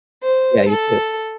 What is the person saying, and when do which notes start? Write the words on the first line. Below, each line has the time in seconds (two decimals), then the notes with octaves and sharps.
Yeah, you too.
0.23 C5
0.67 A4